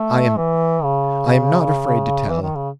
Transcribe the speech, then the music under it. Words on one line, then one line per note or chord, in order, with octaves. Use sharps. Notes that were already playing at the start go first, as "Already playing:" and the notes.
I am--I am not afraid to tell.
Already playing: A3
E3
C#3
E3
D#3
C#3